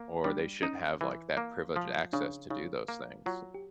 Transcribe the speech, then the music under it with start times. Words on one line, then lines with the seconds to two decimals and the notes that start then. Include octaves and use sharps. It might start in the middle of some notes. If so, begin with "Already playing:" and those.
or they shouldn't have like that privileged access to do those things.
Already playing: A#3
0.24 G3 D4
0.62 C#4 D#4
1.01 E3
1.37 A#3
1.76 F3
2.13 C#3 D4
2.50 C#3 D#4
2.88 A#3
3.26 F#3 F4
3.54 G4